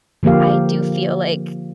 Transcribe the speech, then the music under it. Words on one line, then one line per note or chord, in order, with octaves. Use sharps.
I do feel like,
D3 F3 A#3 G4 F5